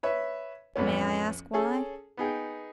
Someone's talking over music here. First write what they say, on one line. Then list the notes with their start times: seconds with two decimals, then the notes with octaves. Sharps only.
"May I ask why?"
0.03 B4 C#5 E5
0.76 A1 F2 B3 C#4
1.54 C#4 G#4 A4
2.17 B3 D#4 G#4 G5